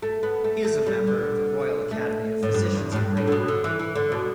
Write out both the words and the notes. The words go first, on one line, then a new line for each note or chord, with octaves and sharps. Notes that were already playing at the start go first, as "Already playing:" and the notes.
He is a member of the Royal Academy of Physicians of Great Britain.
A3
B3
A3
A3
G3
D3
A3
A2
G2
E2
A2
G2
A2
D3
B2
D3
E3
E3
D3
B2